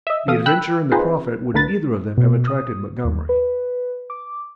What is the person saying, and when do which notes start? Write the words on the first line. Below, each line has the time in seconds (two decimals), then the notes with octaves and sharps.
The adventure and the profit would either of them have attracted Montgomery.
0.07 D#5 E5
0.28 E3 A4 F5 D#6
0.46 G5 B5 E6 F#6
0.92 C4 D#4 F4 G#4 B4 C5
1.54 C2 A2 D3 A#4 B4 A6
2.17 B2
2.47 D#6
3.05 D#2
3.29 B4
4.10 D6